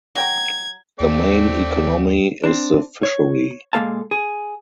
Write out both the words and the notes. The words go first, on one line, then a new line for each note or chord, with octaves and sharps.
The main economy is the fishery.
F#3 G5 A#5 G#6
D#2 A3 C4 D5
C4 D4
C#5
A#2 G#3 A#3 A4 F5 A5
G#4